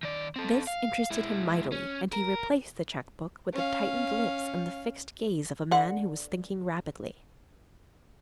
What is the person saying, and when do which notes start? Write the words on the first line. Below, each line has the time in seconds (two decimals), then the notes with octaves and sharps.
This interested him mightily and he replaced the cheque book with the tightened lips and the fixed gaze of a man who was thinking rapidly.
0.03 D#3 D5
0.36 C4 A4
0.67 F5
1.10 G#3 E4
1.72 C#4
2.13 A#4
3.53 C#4 F5
5.71 D3 F#5